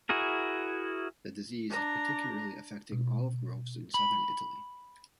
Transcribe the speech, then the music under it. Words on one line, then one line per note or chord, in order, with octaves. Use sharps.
The disease is particularly affecting olive groves in Southern Italy.
E4 F#4 G#4 A#4
D4 A#5
B2
B5